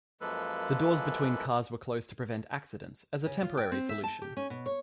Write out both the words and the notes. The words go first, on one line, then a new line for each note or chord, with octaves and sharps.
The doors between cars were closed to prevent accidents as a temporary solution.
F#2 F3 G#3 A#3 A4 B4
C#3
F4
G5
C4
E5
A5
G4
C#4
B2
C#5